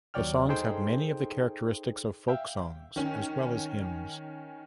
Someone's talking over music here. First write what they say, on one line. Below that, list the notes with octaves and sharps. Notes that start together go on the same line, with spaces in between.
The songs have many of the characteristics of folk songs as well as hymns.
D#2 F#3 C#5 D5 G5 F6
D#4 G#4 A4 C5 G5 C6
E5 F5 G5
D#3 C#4